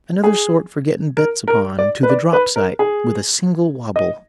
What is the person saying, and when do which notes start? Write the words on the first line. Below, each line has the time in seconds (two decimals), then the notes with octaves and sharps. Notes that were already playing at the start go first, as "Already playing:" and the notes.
Another sort for getting bets upon, to the drop-sight, with a single wabble!
0.24 G#4
1.17 A#4
1.48 A#4
1.79 D5
2.03 B4
2.10 D5
2.33 B4
2.56 A#4
2.79 G#4
3.96 D#5